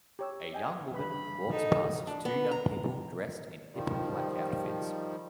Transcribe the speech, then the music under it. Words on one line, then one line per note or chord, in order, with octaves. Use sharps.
A young woman walks past two young people dressed in hip black outfits.
G4 C#5 E6
D#5 G5 G#5
G2 B4 B5
D#4 A4
D4
B3
A#5
D#3 F3 G3